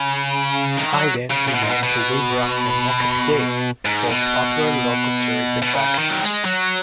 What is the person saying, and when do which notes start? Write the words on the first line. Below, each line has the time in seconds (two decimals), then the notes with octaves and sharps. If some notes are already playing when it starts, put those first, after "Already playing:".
Hyden is home to Wave Rock and Mulka's Cave, both popular local tourist attractions.
Already playing: C#3
0.78 D#3
0.94 F#3
1.31 C#3
1.48 C#3
1.54 B2
1.63 G#2
1.69 B2
1.83 B2
3.85 G#2
4.09 B2
5.62 B2
5.75 C#3
5.98 D#3
6.10 F#3
6.23 G#3
6.45 F#3